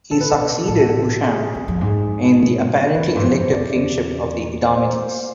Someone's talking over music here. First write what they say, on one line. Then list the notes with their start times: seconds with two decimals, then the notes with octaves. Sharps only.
He succeeded Husham in the apparently elective kingship of the Edomites.
0.11 C3 A4
0.21 B4
0.30 C3 A4
0.39 B2
0.68 A2 A4
1.25 G#4
1.55 E2
1.68 F2
1.81 G#2 G#4
2.94 E2 B4
3.09 B4
3.16 G#2
3.23 F2 C5
3.38 C5
3.51 E2 D5
4.65 C5